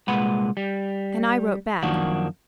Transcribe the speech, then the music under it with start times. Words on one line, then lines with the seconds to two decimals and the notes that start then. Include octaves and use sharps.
And I wrote back.
0.08 C2 A#2 G#3 B4 F#5 B5
0.57 G3
1.83 F#2 D#3 F3 A#3 D4 F#4